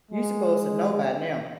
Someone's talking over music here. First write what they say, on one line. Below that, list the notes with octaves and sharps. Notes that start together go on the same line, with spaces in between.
you supposed to know by now.
G#3